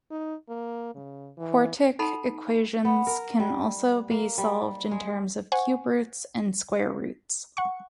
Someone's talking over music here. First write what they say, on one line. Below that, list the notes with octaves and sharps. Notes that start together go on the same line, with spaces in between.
Quartic equations can also be solved in terms of cube roots and square roots.
D#4
A#3
C#3
E3
D#4 A4 F#5 A5 B5 C6
B3
A#4
G3
A#3
G3
G#3
C5 F#5 G#5 C#6
F#5 C#6